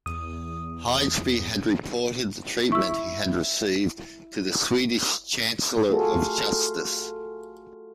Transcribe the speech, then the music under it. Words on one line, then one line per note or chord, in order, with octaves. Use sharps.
Haijby had reported the treatment he had received to the Swedish Chancellor of Justice.
E2 D#6
E4 C#6 E6
A3 F4 F#4 G#4 A4